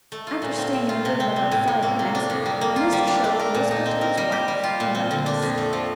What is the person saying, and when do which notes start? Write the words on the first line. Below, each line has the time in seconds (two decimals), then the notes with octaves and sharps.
After staying in the room about five minutes, Mr. Sherwin whispered to his wife, and left us.
0.12 A3
0.27 F4
0.42 A#2
0.58 C4
0.73 G3
0.89 F4
1.05 C3
1.20 C4
1.36 G3
1.51 A2
1.68 A2
1.83 A#3
1.99 C3
2.15 D4
2.30 F2
2.46 G3
2.61 A#3
2.76 F4
2.92 G3
3.07 D4
3.24 A3
3.39 A#4
3.54 A#2
3.71 D#4
3.86 C4
4.01 A#4
4.17 G3
4.32 G4
4.48 G3
4.63 F4
4.80 A#2
4.95 C4
5.11 D3
5.26 D4
5.42 F2
5.58 A3
5.73 F3